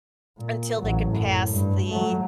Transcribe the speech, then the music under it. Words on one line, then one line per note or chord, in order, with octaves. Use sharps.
Until they could pass the,
A#2
A1 F#3
F#2 A2
G2
F#3 A3